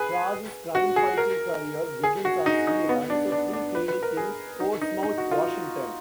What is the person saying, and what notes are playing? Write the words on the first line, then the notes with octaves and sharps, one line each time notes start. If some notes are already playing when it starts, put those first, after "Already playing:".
Cross's crime-fighting career begins as he runs a free clinic in Portsmouth, Washington.
Already playing: G#4 B4
F#4
G#4
A#4
G#4
F#4
D#4
D#4
B3
D4
D4
D4
B4
B4
A#4
G#4
D#4
D#4
D#4
F#4
F4